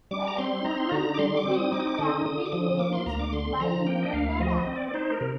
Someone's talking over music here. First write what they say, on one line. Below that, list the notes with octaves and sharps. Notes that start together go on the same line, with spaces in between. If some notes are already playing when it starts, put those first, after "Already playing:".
The equipment used in camping varies with by intended activity.
G3 D6
A#5
C4 C6
D#4 A#5
C6
D3 A#5
D6
G3 C6
D6
C4
D#6
D#4 D6
D#6
D6
D3 D#6
D3 D#6
D6
F3 D#6
A#3 D6
C6
D2 A#5
D6
D3 C6
F3 A#5
A#3 G5
D#5
D2 F5
F3 D#5
D#5
C4
D5
D5
D#4 C5
A#4
C3